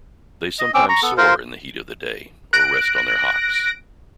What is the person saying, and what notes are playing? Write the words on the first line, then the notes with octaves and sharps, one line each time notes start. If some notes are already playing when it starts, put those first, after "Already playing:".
They sometimes soar in the heat of the day or rest on their hocks.
D#5
C4 C#4 D6 E6
A#5 C#6
B3 A4
F4 A#4 C5
F#6 A#6 D7